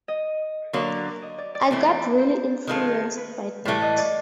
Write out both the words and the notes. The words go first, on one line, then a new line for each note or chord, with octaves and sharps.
I got really influenced by that.
D#5
D3 F#3 A#3
D#5
D5
D5
E3 A3 C4 C5
C5
D#3 G#3 C#4 F4 A4
B4
A2 E3 A3 D5
D#5
D5